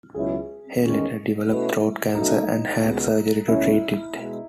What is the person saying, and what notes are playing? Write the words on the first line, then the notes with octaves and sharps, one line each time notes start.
Hey later developed throat cancer, and had surgery to treat it.
C#2 B2 F#3 C#4 E4 G#4
E2 D#3 G#3 C#4
B2 A3 C#4 E4 F#4 B4
B2 F#3 A3 C#4 D#4 F#4
C#2 B2 G#3 B3
C#2 B2 A3 C#4 E4
B2 G#3